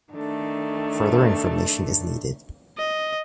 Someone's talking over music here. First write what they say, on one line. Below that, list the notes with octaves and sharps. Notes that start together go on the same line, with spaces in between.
Further information is needed.
D#3 A3 D4 A4
D#5